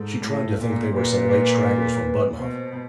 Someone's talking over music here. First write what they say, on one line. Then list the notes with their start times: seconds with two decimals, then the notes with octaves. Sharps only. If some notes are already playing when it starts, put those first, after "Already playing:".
She tried to think they were some late stragglers from Budmouth.
Already playing: G#2 A4
0.24 A2
0.61 A#2
0.92 C5
0.96 A#2 B4
2.38 B2 C5